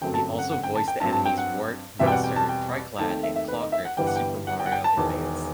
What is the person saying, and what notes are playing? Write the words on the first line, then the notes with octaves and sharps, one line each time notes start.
He also voiced the enemies Wart, Mouser, Tryclyde, and Clawgrip in "Super Mario Advance".
G1 F#2 F#3 A3 C4 G5
A5
F#5
F#5
G5
A5
G5
G2 F#3 C4 A5
A5
G5
F#5
E2 B2 G3 C4 E5
G5
F#5
G5
A5
G5
D#2 D#3 A3 C4 A5
G5
E5
E5
B4
D#5
E5
F#5
G1 G2 E3 G3 B3 G5
F#5
G5
F#5
G5
F#5
G5
A5
E1 E2 D#3